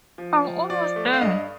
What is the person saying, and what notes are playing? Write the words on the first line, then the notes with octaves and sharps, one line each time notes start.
I'm almost there.
F3
F3
F3 D5
A3
F5
G2 D#5